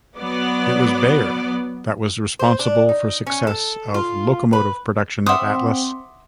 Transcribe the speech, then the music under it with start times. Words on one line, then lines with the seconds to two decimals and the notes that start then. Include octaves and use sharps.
It was Beyer that was responsible for success of locomotive production at Atlas.
0.17 F#3 B3 D5
2.39 C5
2.59 D4
2.89 D#4
3.27 C#4
3.47 A4
3.94 F4
4.53 B4
5.26 C4 E5 F#5 C6 D6 D#6